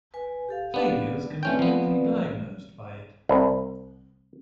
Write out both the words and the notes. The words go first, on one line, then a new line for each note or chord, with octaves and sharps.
Failures can be quickly diagnosed by it.
B4 G#5
G4 A4 F5
B3 D4
A3 C4 C#4 B4 D5 G5
F3 B3
C2